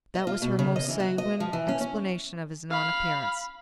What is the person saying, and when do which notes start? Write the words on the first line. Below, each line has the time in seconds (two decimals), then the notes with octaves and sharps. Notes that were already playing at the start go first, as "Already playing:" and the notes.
That was her most sanguine explanation of his non-appearance.
0.15 D#5
0.27 F4
0.42 B2
0.59 C#3
0.76 D#5
0.88 E3
1.00 F#4
1.18 D#5
1.40 F3
1.53 E3
1.69 C#4
1.81 C#4
2.71 F5 B5